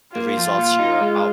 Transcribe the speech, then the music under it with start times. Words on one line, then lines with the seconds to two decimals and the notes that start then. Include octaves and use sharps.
the results you're out
0.16 A#3 F4
0.37 F3
0.58 A#2
0.79 D#4
1.01 G#3